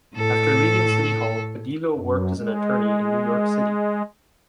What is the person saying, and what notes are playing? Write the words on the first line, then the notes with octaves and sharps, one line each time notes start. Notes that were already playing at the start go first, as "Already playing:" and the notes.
After leaving City Hall, Badillo worked as an attorney in New York City.
A2 A4
F#2
G#3